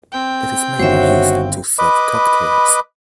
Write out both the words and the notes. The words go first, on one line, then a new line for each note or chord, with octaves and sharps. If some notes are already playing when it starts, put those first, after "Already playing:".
It is mainly used to serve cocktails.
C4 G5
G1 D#3 F#4 C5 C#5 E5
B4 D#5 B5 D6